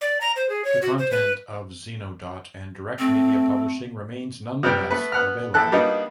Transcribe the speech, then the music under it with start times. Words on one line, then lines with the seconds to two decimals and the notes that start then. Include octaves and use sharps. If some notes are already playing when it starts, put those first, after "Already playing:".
The content of Zenodot and DirectMedia Publishing remains nonetheless available.
0.01 D5
0.21 A#5
0.36 C5
0.49 G#4
0.64 C#5
0.82 F#4
0.98 C5
1.11 B4
2.99 A3 C4
4.63 C3 G3 B3 G5 F6
4.91 A3 B3 B4
5.12 B3 F#5 F6
5.54 A#1 E4 A4 F#6
5.72 G3 A#3 B3 D4 D#4